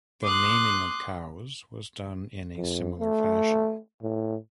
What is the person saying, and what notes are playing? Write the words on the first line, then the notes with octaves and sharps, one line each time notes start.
The naming of Cowes was done in a similar fashion.
C6 D6 D#6 F#6
F2
A3
A2